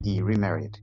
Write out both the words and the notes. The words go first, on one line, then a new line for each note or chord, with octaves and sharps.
He remarried.
G#2 B3